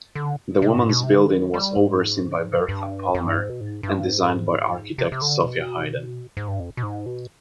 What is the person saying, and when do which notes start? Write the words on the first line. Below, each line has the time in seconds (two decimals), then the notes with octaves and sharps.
The Woman's Building was overseen by Bertha Palmer and designed by architect Sophia Hayden.
0.15 D3
0.62 C3
0.76 G#2
0.89 B2
1.03 C3
1.17 D3
1.30 D#3
1.54 G3
1.77 G#2
2.69 G2
3.15 F2
3.26 G2
3.37 G#2
3.50 B2
3.61 G#2
3.83 G2
4.06 G#2
4.98 C3
5.12 C3
5.22 D3
5.44 B2
6.37 G#2
6.48 G2
6.60 F2
6.77 B2
6.83 G#2
7.06 B2